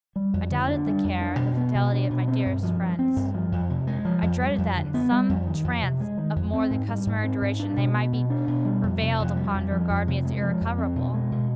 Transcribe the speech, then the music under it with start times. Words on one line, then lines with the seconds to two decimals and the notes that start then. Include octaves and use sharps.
I doubted the care, the fidelity of my dearest friends. I dreaded that, in some trance of more than customary duration, they might be prevailed upon to regard me as irrecoverable.
0.16 G3
0.34 F2
0.51 D3
0.68 D4
0.86 G3
1.04 F2
1.21 D4
1.40 B2
1.57 B3
1.75 B2
1.93 D4
2.10 B2
2.28 C4
2.46 G2
2.63 F3
2.81 G2
2.99 C4
3.16 G2
3.34 F3
3.52 F2
3.70 C3
3.87 G#3
4.05 F3
4.22 F2
4.41 G3
4.58 F2
4.76 D3
4.94 B3
5.12 G3
5.29 F2
5.47 D#3
5.64 F2
5.82 C3
6.00 G#3
6.18 D#3
6.36 F2
6.53 C4
6.70 G#2
6.89 G3
7.07 G#2
7.24 C4
7.42 G#2
7.60 D4
7.77 B2
7.94 B3
8.13 B2
8.30 D4
8.48 B2
8.65 G3
8.83 F2
9.01 C3
9.19 F2
9.36 G3
9.54 F2
9.71 F3
9.90 F2
10.08 C3
10.25 G#3
10.43 F3
10.61 F2
10.78 C4
10.96 B2
11.14 G#3
11.32 B2